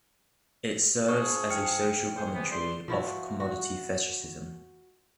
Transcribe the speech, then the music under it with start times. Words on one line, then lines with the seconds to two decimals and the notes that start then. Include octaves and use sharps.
It serves as a social commentary of commodity fetishism.
1.08 F3 D4 G#4 C#6 F6
1.50 G5 F6 C#7
2.17 G#4 C5
2.34 C3 E3 B3
2.51 E2 D5 C6
2.88 F3 E4 F#4
3.40 F#4